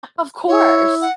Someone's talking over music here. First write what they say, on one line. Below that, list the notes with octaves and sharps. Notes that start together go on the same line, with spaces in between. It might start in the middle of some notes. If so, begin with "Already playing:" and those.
Of course.
E4 C#5
F#5